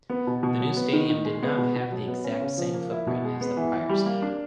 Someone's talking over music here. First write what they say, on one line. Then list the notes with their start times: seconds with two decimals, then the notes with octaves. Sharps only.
The new stadium did not have the exact same footprint as the prior stadium.
0.10 B3
0.27 B2
0.43 B2
0.60 F#3
0.77 B3
0.93 D#3
1.09 D#3
1.25 G#3
1.43 B3
1.58 B2
1.76 B2
1.92 F#3
2.08 B3
2.24 C#4
2.41 C#3
2.58 F3
2.74 A#3
2.91 E4
3.07 B2
3.24 G#3
3.41 B3
3.57 E3
3.74 E3
3.89 G3
4.06 A#3
4.22 D4